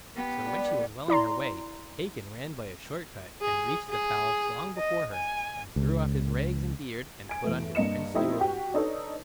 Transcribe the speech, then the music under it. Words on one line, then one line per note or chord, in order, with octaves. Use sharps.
So when she was well on her way, Hacon ran by a short cut and reached the palace long before her, and threw off his rags and beard, and put on his princely robes.
B3 G4
G3 D4
E4 D5 A#5 C6
G#4
G#4
D#5
G#5
C#2
G#5 D7
E2 A3
G2 A#3 D#5 C#7 E7
F3 A3 C4 D#4 E4 G4
F#4 G4
D4 D#4 A4 B4 C#5